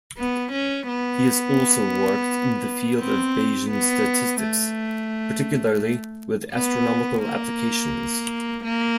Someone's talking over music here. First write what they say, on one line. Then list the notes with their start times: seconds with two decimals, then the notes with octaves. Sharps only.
He has also worked in the field of Bayesian statistics, particularly with astronomical applications.
0.17 B3
0.53 C#4
0.88 B3
3.00 C4
3.70 B3
4.41 A3
6.53 B3
7.24 A#3
8.65 A#3